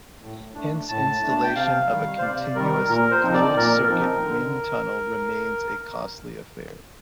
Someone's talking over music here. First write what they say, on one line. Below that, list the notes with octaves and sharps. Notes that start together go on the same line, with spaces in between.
Hence installation of a continuous, closed circuit wind tunnel remains a costly affair.
A2
A3 D4
A2 A5
A3 D4
A5
G5
C3 F5
D#3 G3
C5
C3 D5
D#3 G3 A#4
A#2 A#4
C5
F3 C4 D#4
D5
A#2 A#4
F3 C4 D#4
D3